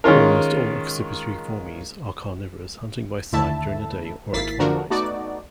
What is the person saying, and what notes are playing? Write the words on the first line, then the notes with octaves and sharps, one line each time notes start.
Almost all Accipitriformes are carnivorous, hunting by sight during the day or at twilight.
D#3 G#3 C#4 F4 A#4
D#2 D3 A3 E4 E5 A5
G#1 A#3 E4 A6 B6 C7
D3 F3 A#3 D4 F#4 A#4
A3 B3 D#4 F#4 D5